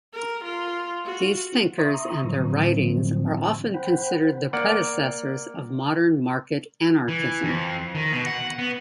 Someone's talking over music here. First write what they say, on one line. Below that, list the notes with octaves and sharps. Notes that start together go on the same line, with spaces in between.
These thinkers and their writings are often considered the predecessors of modern market anarchism.
A#4
F4
F#4
E5 A#5 C6 C#6 D#6
A2 D3 F3 F#3 C4
C5 F#5 G5 B5
A#3 D5 F#5
E3
F2
D#3
B2
F#5
B3